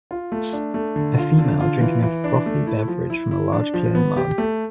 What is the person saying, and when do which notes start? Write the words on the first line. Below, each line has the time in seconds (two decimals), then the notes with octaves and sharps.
A female drinking a frothy beverage from a large clear mug.
0.11 F4
0.32 A3
0.53 D4
0.74 A3
0.96 D3
1.18 F4
1.39 D3
1.61 F4
1.81 E3
2.03 E3
2.24 D4
2.46 A3
2.67 E4
2.88 F3
3.10 E4
3.31 E4
3.52 D4
3.74 F3
3.95 B3
4.17 G4
4.38 A3